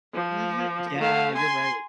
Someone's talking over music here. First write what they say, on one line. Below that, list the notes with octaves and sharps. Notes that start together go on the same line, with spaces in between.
Mhm, yeah, you're right.
F3
A3 F5
G#5 C6